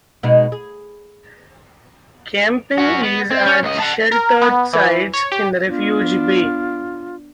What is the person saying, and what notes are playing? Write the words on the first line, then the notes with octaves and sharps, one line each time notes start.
Camping is at sheltered sites in Refuge Bay.
B2 G#3 D#4
G#4
C#4 F#4
B3
C4
C#4
C#2 D#5
F#5 A5
A#4
B3
E3
C#5
G4
B3 D4 F4